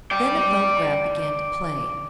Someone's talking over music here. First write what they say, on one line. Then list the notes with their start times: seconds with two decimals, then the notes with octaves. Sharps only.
Then the phonograph began to play.
0.11 D5 G5